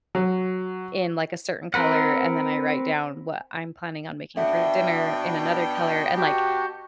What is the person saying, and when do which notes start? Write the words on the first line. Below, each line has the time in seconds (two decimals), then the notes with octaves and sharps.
in, like, a certain color, and then I write down what I'm planning on making for dinner in another color, and, like,
0.15 F#3
1.74 C4 A#4 B4 F#5
4.37 B2 D4 E5 F#5 G5
6.16 F#4 G4 A5 G6